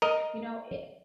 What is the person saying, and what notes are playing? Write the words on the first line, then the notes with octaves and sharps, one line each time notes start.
you know, i
A#4 D#5